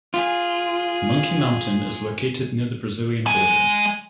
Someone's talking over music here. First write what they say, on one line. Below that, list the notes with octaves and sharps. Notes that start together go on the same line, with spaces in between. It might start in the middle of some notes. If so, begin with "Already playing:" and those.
Monkey Mountain is located near the Brazilian border.
F4 G#4
G#3 G#5